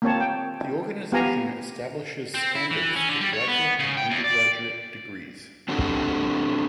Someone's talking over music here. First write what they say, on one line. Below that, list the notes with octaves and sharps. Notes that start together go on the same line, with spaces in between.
The organization establishes standards for graduate and undergraduate degrees.
A#3 C4 C#5 A5
G5
B3 G4 F5 G#5 A#5
C4
E4
E3
C#4
D3
G3
C#5
B3
C#3
G5
E2
D5
C4 D4 F#4 G4 A4